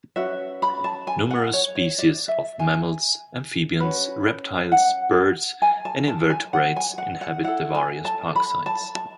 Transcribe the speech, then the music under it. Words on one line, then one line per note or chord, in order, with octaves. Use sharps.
Numerous species of mammals, amphibians, reptiles, birds and invertebrates inhabit the various park sites.
C#4 F#4 B4 E5
B5
A5
G#5
F#5
C#5
C#5
D5
E5
G#5
C#4 F#4 B4
F#5
G#5
A5
A5
G#5
F#5
G#5
F#5
F#5
E4 A4 F#5
G#5
A5
B5
A5
A5